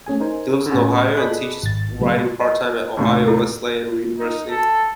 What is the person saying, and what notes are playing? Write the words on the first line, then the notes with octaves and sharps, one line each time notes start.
He lives in Ohio and teaches writing part-time at Ohio Wesleyan University.
A3 C#4 G#4 G#5
D#4 A#4 C5 G#5
A2 C#4 G#4 F#5 G#5
G#4 A4 D5 D#5 B5 F#6
G#1 A6
A#2 C#3 F#3 G#3 B3
D#5
D#2 A2 C3
E4 F4 A4
D#4
A4